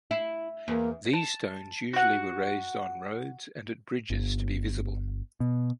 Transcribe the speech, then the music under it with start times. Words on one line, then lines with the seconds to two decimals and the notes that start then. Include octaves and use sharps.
These stones usually were raised on roads and at bridges to be visible.
0.11 E4
0.68 E2 A#3
1.13 A5
1.93 F#4 F#5
4.10 G1
5.40 B2